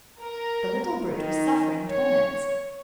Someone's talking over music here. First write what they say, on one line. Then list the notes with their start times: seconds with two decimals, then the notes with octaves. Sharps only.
The little brute was suffering torments.
0.20 A#4
1.09 D#3
1.90 C#5